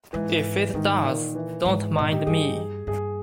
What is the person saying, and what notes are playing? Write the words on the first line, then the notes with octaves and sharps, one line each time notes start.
If it does, don't mind me.
G#2 E3
G#2 D#3
A#2
E3
G#2
B2 D#4
A#2 G4
G#2
G2 G#4
G2 G#4